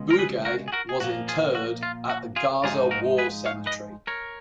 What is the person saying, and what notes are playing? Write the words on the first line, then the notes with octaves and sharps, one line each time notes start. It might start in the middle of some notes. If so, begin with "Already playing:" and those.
Boughey was interred at the Gaza War Cemetery.
Already playing: C#2 B2 G#3
A#4
G#4 B4
F#4 A#4
G#4
F#4 A#4
G#4
A#2 F3 A#3 F#4
F4 G#4
F#4
F4
F#4
F4 G#4
G#2 F3 G#3 D#4 F4 G#4
F#4 A#4
G#4 B4
C#5 F5
B4 D#5
A#4 C#5